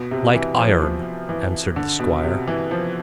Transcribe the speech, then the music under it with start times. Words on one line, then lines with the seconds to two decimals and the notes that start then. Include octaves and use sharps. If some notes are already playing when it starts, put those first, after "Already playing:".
"Like iron," answered the squire.
Already playing: B2
0.11 C3
0.35 E3
0.58 F3
0.82 F3
1.29 E3
1.76 D3
2.00 B2
2.24 C3
2.48 E3
2.71 F3